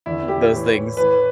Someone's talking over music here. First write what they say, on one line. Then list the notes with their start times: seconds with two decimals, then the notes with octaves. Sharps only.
Those things.
0.06 E2 D3 E4
0.28 G4
0.52 A2 E3
0.97 A2 E3 B4